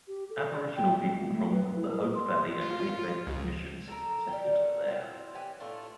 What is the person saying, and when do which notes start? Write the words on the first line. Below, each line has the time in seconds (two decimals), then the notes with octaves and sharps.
Aboriginal people from the Hope Valley and Cape Bedford Missions settled there.
0.08 G4
0.30 A4
0.49 D5
0.76 G5
1.03 G#3
1.32 A3
1.53 B4
1.76 E4
1.88 A#4
2.15 C6
2.61 F4
3.27 C#2
3.88 A4 A#4 G#5 A#5
4.28 G3 G5
4.52 F#3 A3 A#4
4.87 F#3 C4 E4 F4
5.35 E3 G4 G#5
5.60 A2 A3 D4 F4